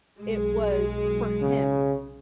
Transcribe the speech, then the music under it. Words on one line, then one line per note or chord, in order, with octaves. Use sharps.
it was for him,
B1 G#3
C#3